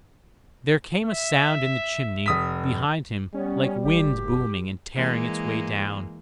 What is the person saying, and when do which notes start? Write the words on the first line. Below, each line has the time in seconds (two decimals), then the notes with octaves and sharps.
There came a sound in the chimney behind him like wind booming and tearing its way down.
1.05 E5
2.26 F1 D#6 B6
3.34 G3 B3 C#4
3.85 F#1 G4
4.94 E3 G#3 A#3